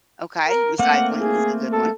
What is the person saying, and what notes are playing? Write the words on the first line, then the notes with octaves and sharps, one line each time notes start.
Okay, recycling is a good one.
A#4
A3 A#3 C4 F#5
G#4
A4